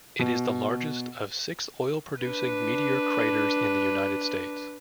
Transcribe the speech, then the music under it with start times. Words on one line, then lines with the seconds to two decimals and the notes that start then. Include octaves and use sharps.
It is the largest of six oil-producing meteor craters in the United States.
0.19 B2
2.22 D4 B4